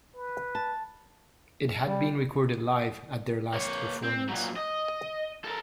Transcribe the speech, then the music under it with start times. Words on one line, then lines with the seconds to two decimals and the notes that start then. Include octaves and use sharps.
It had been recorded live at their last performance.
0.15 B4
0.55 A5
1.85 G3
3.54 A#3 C#5
4.03 C4
4.28 A#2 F#3
4.56 D#5
5.45 A4 A#4